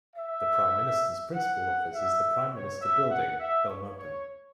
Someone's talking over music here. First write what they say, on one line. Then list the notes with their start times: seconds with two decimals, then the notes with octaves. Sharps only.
The Prime Minister's principal office is the Prime Minister Building, Belmopan.
0.16 E5
1.34 F#5
1.92 E5
2.52 C#5
2.81 E5
3.11 F#5
3.40 E5
3.69 C#5
3.99 C#5